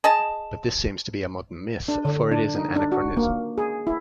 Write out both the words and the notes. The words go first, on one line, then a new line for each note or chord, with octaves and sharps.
But this seems to be a modern myth, for it is an anachronism.
G#4 D#5 A5
D4
D3
D4
D#4
D4
F#4
A#3
G#4
E4